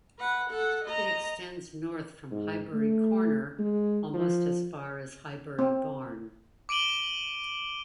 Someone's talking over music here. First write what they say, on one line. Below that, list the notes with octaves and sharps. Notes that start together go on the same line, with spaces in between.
It extends north from Highbury Corner almost as far as Highbury Barn.
B4 F#5
A4 F#5
D#5 A#5
G#2
A3
G#3
F3
C4
D6 D7 D#7 F#7 G7